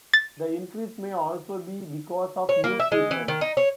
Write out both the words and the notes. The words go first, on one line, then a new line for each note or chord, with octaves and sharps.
The increase may also be because of new treatments.
A6
C#5
A#3
E5
G#3
E3
D#3
D#4
C#5